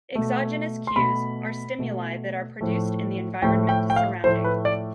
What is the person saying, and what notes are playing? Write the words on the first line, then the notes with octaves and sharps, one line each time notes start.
Exogenous cues are stimuli that are produced in the environment surrounding.
B2 A3
C6
B2 A3 B5
B2 A3
A2 F3 A3
A2 F3 A3 G5
G5
G5
F5
A2 F3 A3 C5
B4
D5